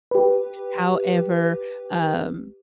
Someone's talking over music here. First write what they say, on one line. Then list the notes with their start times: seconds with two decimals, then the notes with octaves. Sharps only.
However, um,
0.11 G4 B4